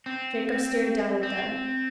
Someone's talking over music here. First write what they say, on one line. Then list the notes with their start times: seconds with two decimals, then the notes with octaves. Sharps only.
Jacob stared down at them.
0.06 C4
1.23 C4